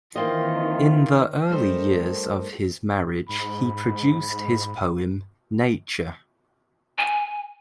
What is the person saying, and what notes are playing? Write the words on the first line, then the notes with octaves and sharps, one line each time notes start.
In the early years of his marriage he produced his poem, "Nature".
D#3 E3 A#3 C4 F4 D#5
G3 A3 D#4 A4 A#4 C5
G#2 B5
G#5